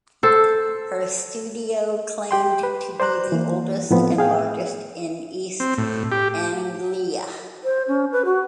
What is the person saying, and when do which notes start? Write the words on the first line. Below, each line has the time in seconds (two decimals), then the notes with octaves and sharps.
Her studio claimed to be the oldest and largest in East Anglia.
0.23 A4 C5
2.31 G4 G5 C6
2.63 B4
3.00 C5 D5 A#5 F#6
3.32 E3 A#3
3.91 A2 F3 B3 C4
4.18 G#4 F5 G5
5.60 C4
5.78 A2
6.12 G4
7.64 C5
7.88 C#4
8.12 B4
8.25 F#4